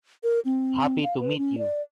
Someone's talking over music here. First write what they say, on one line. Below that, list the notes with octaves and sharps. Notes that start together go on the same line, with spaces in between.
Happy to meet you.
A#4
C4
F5
B4
C#4
D5